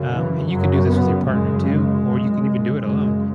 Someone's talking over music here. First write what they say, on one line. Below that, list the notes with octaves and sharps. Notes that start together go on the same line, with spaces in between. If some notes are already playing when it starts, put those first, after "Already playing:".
um and you can do this with your partner too, or you can even do it alone,
Already playing: F#2 C#3
E3
F#2 C#3 F#3
B3
F#2 C#3 G#3
G#3
F#2 C#3
F#2 C#3 G#3